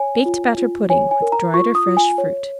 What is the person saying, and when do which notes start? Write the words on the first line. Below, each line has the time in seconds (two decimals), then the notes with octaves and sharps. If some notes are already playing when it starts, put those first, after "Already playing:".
BAKED BATTER PUDDING, with Dried or Fresh Fruit.
Already playing: C#5 G#5
0.26 F4
0.58 F4
0.90 C#5 G#5
1.11 G#5
1.22 A#4
1.32 A#5
1.54 F4 C#6
1.75 D#6
1.86 F4
1.97 G#5
2.18 C#5